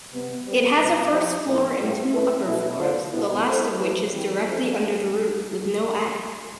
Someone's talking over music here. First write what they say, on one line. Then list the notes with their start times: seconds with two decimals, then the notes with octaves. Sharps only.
It has a first floor and two upper floors, the last of which is directly under the roof, with no attic.
0.12 C3 G3 B3
0.46 G3 C4 G4 B4
0.79 B2 G3 C4
1.12 F3 C4 G4 C5
1.46 A2 F3 C4 E4
1.79 A2 G3 B3 E4 G4
2.12 A3 E4 B4
2.45 B2 A3 E4
2.78 D3 A3 D4 F4 C5
3.12 B2 G3 B3 E4
3.46 A3 E4 A4 C5
3.78 F3 A3 E4 B4
4.11 E3 G3 C4 E4 G4
4.45 F3 A3 D4 A4 C5
4.78 A3 D4 A4